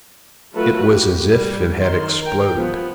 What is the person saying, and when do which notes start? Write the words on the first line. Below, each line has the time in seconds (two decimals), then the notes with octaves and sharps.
It was as if it had exploded.
0.54 F#3 A3 F4 F#4 A4 B4
0.86 F#4 G4
1.29 G3
1.80 D#3 C6
2.22 A#4 G5
2.56 F3 B3